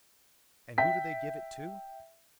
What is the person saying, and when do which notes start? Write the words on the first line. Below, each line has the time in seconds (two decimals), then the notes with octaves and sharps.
And who do they give it to?
0.78 E5 G5 B6